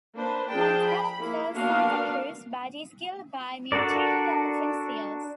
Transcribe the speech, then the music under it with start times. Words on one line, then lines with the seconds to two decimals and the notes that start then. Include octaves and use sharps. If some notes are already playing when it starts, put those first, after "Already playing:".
Montana kills Santa Cruz, but is killed by mutated elephant seals.
0.14 A#3 D4 B4 C5
0.49 F3 D4 G#4 G5 A5
0.85 B5
1.19 A#3 E4
1.54 A#3 B3 D4 F#4 F5
3.72 D4 F#4 A4 A#4 D5